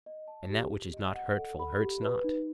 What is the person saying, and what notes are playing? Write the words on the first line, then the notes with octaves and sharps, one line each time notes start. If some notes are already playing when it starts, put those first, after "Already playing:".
And that which is not hurtful hurts not?
D#5
A5
G4
G4
D#5
F#5
A4
B5
G4
B4
D#4